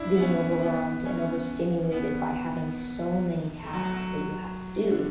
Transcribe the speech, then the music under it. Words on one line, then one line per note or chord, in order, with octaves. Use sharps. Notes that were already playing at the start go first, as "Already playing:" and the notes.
being overwhelmed and overstimulated by having so many tasks that you have to do,
Already playing: D4 E4
B3
C#4
B3
C#4
B3
A3
F#3
F#3
F#3
D3